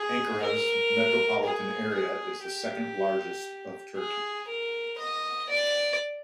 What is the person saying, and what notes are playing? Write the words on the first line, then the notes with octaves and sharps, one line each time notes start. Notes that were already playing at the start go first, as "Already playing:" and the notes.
Ankaras metropolitan area is the second largest of Turkey.
Already playing: G#4
A#4
G#4
G#4
G4
G#4
A#4
D#5
D5